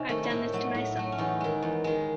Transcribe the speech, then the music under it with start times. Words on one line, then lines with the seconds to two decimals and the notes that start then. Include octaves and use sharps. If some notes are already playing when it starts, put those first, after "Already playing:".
I've done this to myself.
Already playing: C3 C#4 D#4
0.09 D#3 A3
0.24 E4
0.30 A2 D#4
0.53 F#3 A3
0.75 A2
0.96 F#3 A3
1.12 C#4
1.18 E2 D#4
1.41 D#3 G#3
1.63 E2
1.84 D#3 G#3